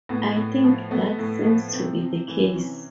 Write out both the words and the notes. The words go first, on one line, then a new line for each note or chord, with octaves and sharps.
I think that seems to be the case.
A2 B3
A2
F3
A3 B3
A2
F3
C3 C4
C3
E3
C3 C#4